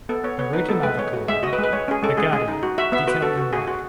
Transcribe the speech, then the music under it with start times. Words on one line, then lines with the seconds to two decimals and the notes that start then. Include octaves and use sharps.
He wrote an article in "The Guardian" detailing why.
0.09 B3 A4
0.23 B3 C#5
0.39 B3 C#5
0.53 D#4 B4
0.68 B3 A4
0.83 G#3 B4
0.98 G#3 C#5
1.13 F#4
1.28 G#3 E5
1.43 F#4 D#5
1.53 B4
1.58 G#3
1.64 B4
1.73 G#3 C#5
1.88 C#4 G#4
2.03 G#3 A4
2.17 G#3 G#4
2.32 G#3 G#4
2.48 D#4
2.63 F#4
2.78 F#4 E5
2.92 B3 E5
3.07 F#4 B4
3.22 F#4 A4
3.37 F#4
3.53 F#4 G#4
3.67 F#4